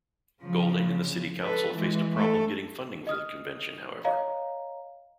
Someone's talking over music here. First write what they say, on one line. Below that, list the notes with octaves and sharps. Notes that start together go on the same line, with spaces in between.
Golding and the city council faced a problem getting funding for the convention, however.
C#3 F3
A4 B4
E3 G#3
A3 A4
D#5 D#6 F6
C#5 D#5 F5 A#5